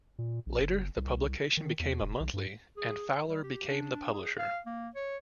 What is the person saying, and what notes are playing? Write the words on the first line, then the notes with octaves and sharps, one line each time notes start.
Later, the publication became a monthly and Fowler became the publisher.
A#2
A#1
F#1
C2
D#3
E2
E1
B1
G2
G#4
G3
G4
D4
G#4
F5
A#3
C#5